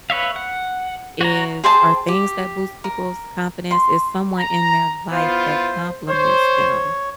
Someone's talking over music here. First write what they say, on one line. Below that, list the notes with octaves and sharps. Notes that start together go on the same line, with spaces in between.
is or things that boost people's confidence, is someone in their life that compliments them,
B4 C#5 E5 F5
F#5
F#4 C#5 A#5
G#4 C5 G5 A5
G4
A#4
C6
A#5
B3 E4 F4 C5
C5 C#5